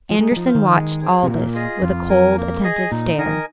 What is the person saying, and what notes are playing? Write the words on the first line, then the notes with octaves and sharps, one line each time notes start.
Andersen watched all this with a cold, attentive stare.
F3
G#3 D#4
G#3
F3
C5 F5
D#3
G#3
C4 G#4
C3
A#2 A#3
F4 G#4 D#5
F2 F4
A#4 G#5
A#3
G#4 D#5 G#5
A#2 D#4
D#3 A#4 D#5 G#5